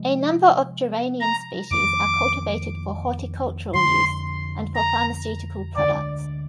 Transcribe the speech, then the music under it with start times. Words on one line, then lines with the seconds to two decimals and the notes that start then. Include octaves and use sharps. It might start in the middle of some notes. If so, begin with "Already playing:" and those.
A number of geranium species are cultivated for horticultural use and for pharmaceutical products.
Already playing: C3 F3 G#3
1.20 A#5
1.71 F2 D#3 A#3 D6
3.73 F2 D3 G#3 D4 C6
4.75 A#5
5.76 D2 D3 G#3 D4 D5